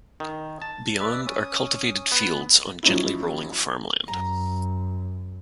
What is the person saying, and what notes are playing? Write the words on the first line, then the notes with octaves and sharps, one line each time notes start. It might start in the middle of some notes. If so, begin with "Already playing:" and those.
Beyond are cultivated fields on gently rolling farmland.
D#3
A5
B4 D5 E5
C#4 D#6
B3
F3 F#3 C#4 D#4 E4
F#2 A#5